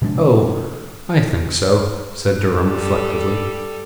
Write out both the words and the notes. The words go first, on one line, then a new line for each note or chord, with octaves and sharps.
"Oh, I think so," said Durham, reflectively.
C3 F3 G#3 D4
G3 A4